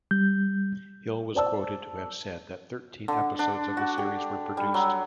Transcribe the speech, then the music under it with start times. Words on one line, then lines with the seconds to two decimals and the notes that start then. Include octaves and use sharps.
Hill was quoted to have said that thirteen episodes of the series were produced.
0.11 G3 G6
1.35 C5 D5 A5 E6
3.08 D3
3.39 D4
3.77 F#4
3.98 G4
4.57 G3
4.74 F#3